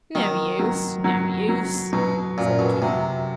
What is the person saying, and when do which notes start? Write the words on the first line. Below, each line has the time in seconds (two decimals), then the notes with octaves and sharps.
'No use, no use!' said the King.
0.15 D#3 F#3
0.59 F#3
1.04 F#3
1.49 F#3
1.93 B2 F#3
2.38 F#2 A#2
2.59 B2
2.82 C3 F#3